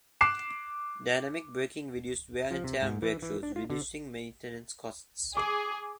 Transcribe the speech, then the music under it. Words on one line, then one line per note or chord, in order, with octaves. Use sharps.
Dynamic braking reduced wear and tear on brake shoes, reducing maintenance costs.
D6 F#6 C7 E7
F3
C3
G#2
E3
E3
D4
F4
D3
G#4 D6